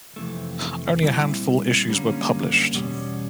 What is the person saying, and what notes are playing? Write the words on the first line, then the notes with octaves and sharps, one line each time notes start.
Only a handful issues were published.
F2 C3 E3 A3
A#2 G3 C4 E4
F#2 D3 G3 A#3 C#4
E2 B2 G3 A#3 C#4